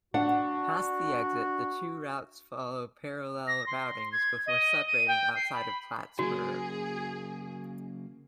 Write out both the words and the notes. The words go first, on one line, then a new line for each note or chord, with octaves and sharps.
Past the exit, the two routes follow parallel routings before separating outside of Plattsburgh.
D4 F#4 F#5
A#6
C6
G#6
D#5
D#7
G5
C7
B5
C#3 F#3 A#3 F#4 G#4